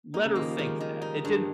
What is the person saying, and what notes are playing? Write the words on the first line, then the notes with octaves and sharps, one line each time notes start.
let her think that, it didn't
A#3 D#4
C#3
D#3 A#3
F3
G3
D#3 G#3
D#3
G3 D#4
G#3
G2
G3